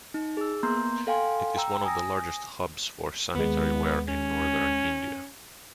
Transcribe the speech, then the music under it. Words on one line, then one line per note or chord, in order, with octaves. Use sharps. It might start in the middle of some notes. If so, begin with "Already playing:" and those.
It is one of the largest hubs for sanitary ware in Northern India.
D#4
G#4 E6
A#3 B3 A#5 C6 G6
A4 F5 G5 G#5 C6
G5 A#5 E6
G#5 D#6 A#6
D#2 G#3 B3
C#4